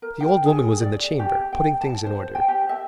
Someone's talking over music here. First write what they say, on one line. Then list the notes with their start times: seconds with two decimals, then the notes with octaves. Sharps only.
The old woman was in the chamber, putting things in order.
0.02 A#4
0.21 G5
0.45 G#4
0.80 D5
1.19 G4
1.53 G5
1.81 A5
2.06 C5
2.35 G5
2.48 G4
2.69 E5